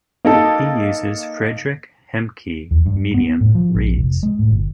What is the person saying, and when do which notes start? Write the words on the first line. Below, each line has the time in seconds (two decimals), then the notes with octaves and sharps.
He uses Frederick Hemke medium reeds.
0.25 A#3 D#4 A4
2.71 E2
2.86 G2
3.14 B3
3.41 A2
3.55 F3
3.75 A#1
3.96 F1
4.23 G#3
4.39 A2
4.51 G1